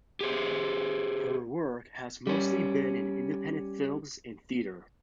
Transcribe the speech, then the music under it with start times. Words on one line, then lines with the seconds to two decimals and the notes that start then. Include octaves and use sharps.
Her work has mostly been in independent films and theater.
0.21 G4 G#4 C5
2.27 G3 C#4